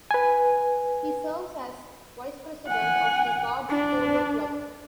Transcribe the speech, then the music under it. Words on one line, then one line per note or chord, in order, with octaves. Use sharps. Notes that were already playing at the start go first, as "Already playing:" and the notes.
He serves as Vice President of the Guards Polo Club.
B4 G#5
F#5 G#5
D4